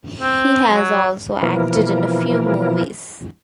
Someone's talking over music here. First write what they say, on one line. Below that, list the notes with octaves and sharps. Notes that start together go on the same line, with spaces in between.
He has also acted in a few movies.
C4
F#3
B2 E3 F3 A#3 E4 A#4